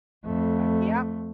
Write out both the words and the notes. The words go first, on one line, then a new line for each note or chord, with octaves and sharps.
he's like, "Yep.
F2 A3